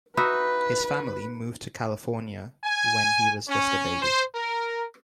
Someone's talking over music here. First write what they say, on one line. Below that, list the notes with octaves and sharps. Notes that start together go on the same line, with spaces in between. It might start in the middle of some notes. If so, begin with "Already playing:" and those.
His family moved to California when he was just a baby.
D#4 F#4 B4 E5 B5
G#5
C#4
C5
A#4